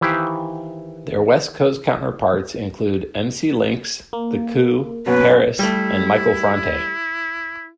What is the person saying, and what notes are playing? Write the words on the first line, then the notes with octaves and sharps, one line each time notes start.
Their West Coast counterparts include Emcee Lynx, The Coup, Paris, and Michael Franti.
D#3 E3 E4 G4 C5 F5
A#3
F#2 B2 B4
G3 A3 E4